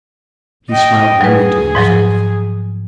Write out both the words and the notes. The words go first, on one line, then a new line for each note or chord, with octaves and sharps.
He smiled grimly to himself.
D#5 G5
F#3 G#4 B4
G#2 F3 F#3